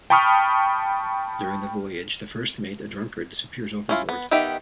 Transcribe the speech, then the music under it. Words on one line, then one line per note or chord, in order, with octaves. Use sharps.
During the voyage, the first mate, a drunkard, disappears overboard.
G5 A5 B5 C#6 D#6 F6
C#4 E4 F4
B3
D#3 B3 D#4 G4 E5